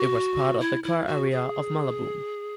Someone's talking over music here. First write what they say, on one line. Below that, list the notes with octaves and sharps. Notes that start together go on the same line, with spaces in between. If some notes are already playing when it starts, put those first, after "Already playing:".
It was part of the core area of Mallabhum.
Already playing: F#4
E4
E4
F#4
G#4